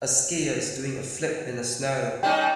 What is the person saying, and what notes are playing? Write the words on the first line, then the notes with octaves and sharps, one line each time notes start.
A skier is doing a flip in the snow.
G3 C#4 D#4 G5